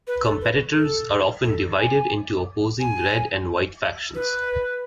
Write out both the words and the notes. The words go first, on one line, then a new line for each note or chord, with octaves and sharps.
Competitors are often divided into opposing red and white factions.
B4
A4
B4
A4
A4
G#5
G#5
B4